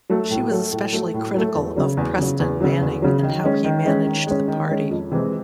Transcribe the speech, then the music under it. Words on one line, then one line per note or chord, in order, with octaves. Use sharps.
She was especially critical of Preston Manning and how he managed the party.
F#3 A3
A2
F#3 A3
A2
F#3 A3
A2
F#3 A3
E2
C#3 F#3
E2
C#3 F#3
E2
C#3 F#3
E2
C#3 F#3
D#3
G#3 C#4
D#3
G#3 C#4
D#3
G#3 C#4
D#3
G#3 C#4
F2
C3 E3 G#3 C4